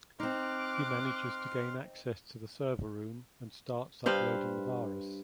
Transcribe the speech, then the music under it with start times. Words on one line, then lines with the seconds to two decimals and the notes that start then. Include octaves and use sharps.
He manages to gain access to the server room and starts uploading the virus.
0.20 C4 D#4 C6 D6 F6 F#6
4.06 G2 B4 C5 F5